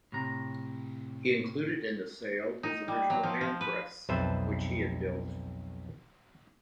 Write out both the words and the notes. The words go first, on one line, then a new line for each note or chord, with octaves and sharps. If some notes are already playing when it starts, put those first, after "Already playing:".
He included in the sale his original hand press which he had built.
A2 C3 A#5
D#4
G3
F#3
F3
F3
B4
B1 F2 B4 C5 E5 A5